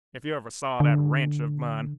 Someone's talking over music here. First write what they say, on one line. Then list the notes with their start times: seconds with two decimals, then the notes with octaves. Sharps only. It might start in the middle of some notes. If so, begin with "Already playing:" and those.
If you ever saw that ranch of mine!
0.80 D3